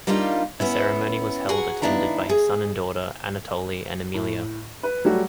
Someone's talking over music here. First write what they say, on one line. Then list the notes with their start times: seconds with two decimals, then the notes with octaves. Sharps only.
A ceremony was held attended by his son and daughter, Anatoly and Emiliya.
0.07 G3 A#3 D4 D#4 F4
0.60 B3 C#4 E4
1.49 F#4 G#4 A#4 F#5 G#5
1.82 D#2 G#2 B3 D4 E4 A#5
2.29 G#4
4.14 A2
4.83 B4
5.05 F#3 G3 A3 F#4